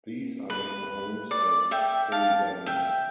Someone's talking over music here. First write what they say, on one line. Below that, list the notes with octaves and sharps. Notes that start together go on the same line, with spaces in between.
These are not the homes of polygamy.
B4
D5
E5 G5
F5 A5
E5 G5